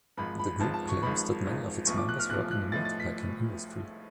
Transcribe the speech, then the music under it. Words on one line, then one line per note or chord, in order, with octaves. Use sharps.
The group claims that many of its members work in the meat-packing industry.
G#1 G#2 F3 B5
B5
G#1 G#2 F3 A5
A5
C#6
G#1 G#2 F3 B5
G#1 G#2 F3
B1 A2 F3 C#6
D6
F#6
F6
B1 A2 F3 F#6
F#6
B1 A2 F3 A6
A6
B6